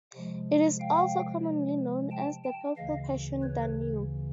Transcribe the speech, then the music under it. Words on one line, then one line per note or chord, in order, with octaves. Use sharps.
It is also commonly known as the purple passion danio.
C3 F3 G#3
F5 G5
G5 A5
G5 A5
D2 C#3 E3 D#5 F5
B4 C#5